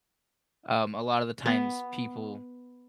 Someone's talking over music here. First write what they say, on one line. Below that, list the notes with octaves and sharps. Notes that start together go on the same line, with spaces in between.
um, a lot of the times, people
B3